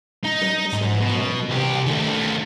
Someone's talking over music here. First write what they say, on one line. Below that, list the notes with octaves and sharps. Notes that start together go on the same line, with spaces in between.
Thank you so much, have a good day.
D#4
G#2
B2
C2 G4
D#3 A3